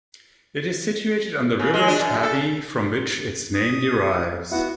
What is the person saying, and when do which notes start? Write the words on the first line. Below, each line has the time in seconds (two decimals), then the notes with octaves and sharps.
It is situated on the River Tavy from which its name derives.
1.59 C#3
1.74 G#3
1.88 D4
2.00 F#2
2.23 A4
3.54 D#6
4.52 B3 E4 F#4 F#5